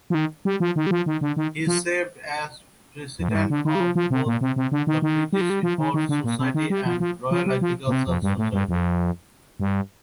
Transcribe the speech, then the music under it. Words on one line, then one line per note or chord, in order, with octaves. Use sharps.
He served as president of both the British Horse Society and Royal Agricultural Society.
F3
D#3
G3
F3
D#3
G3
F3
D#3
D3
D#3
F3
F2
A2
G2
D3
D#3
G3
F3
F3
C3
A#2
C3
C3
D3
D#3
D#3
G3
F3
G3
F3
D#3
D#3
D3
A#2
C3
D#3
G3
F3
F3
F3
G3
F3
A#2
C3
F2
G2
A2
G2
F2
G2